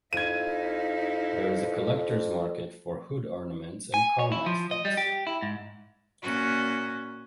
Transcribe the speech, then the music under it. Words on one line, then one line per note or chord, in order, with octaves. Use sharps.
There is a collectors market for hood ornaments and car mascots.
F2 D#4 E4 F5 G#6 D#7
G#5
C#5
E4
F3
D#5
G3
G4
E4
G#2
A#2 C#4 F#4